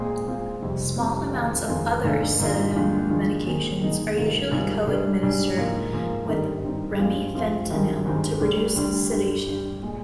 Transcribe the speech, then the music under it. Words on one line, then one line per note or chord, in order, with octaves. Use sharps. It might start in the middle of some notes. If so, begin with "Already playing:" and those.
Small amounts of other sedative medications are usually co-administered with remifentanil to produce sedation.
Already playing: A#2 G#3 C4 F4 G#4
A#2 G#3 C4 F4 G#4
F1 F2 C3 G3 C4
F1 F2 C3 G3 C4
F2 D#3 G#3 C4 F4
F2 D#3 G#3 C4 F4
G#2 D#3 A#3 D4 F4
G#2 D#3 A#3 D4 F4
D#2 D3 F3 G#3
D#2 D3 F3 G#3
D#2 D#3 G#3 C4 D#4
D#2 D#3 G#3 C4 D#4
G#2 D#3 G3 C4 F4
G#2 D#3 G3 C4 F4
G#2 G3 D4
G#2 G3 D4
G#2 F3 A#3
G#2 F3 A#3
G2 D#3 G3 C4 D#4
G2 D#3 G3 C4 D#4
G2 F3 G#3 C4 F4
G2 F3 G#3 C4 F4
G#1 G2 D#3 G#3 C4
G#1 G2 D#3 G#3 C4
D2 D3 G3 D4
D2 D3 G3 D4
G2 D3 G3 D4 G4
G2 D3 G3 D4 G4
A#2 G#3